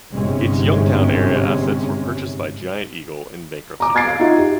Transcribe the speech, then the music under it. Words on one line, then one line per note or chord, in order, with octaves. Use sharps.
Its Youngstown-area assets were purchased by Giant Eagle in bankruptcy court.
G1 G#2 C3 G#3 C#4
A#5 D6
D6 G#6 A6 C7 D7
F5
D#4 F4 F#4 E5
G4